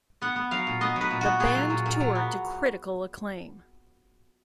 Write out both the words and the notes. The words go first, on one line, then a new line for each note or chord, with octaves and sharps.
The band toured to critical acclaim.
B3 F#5
B3
F#3 F5
A#2
B3 D#5
F#3
B4
A#2
B3 F#4
A#2 G#4
F#3
A#2
A#2
F#3
B3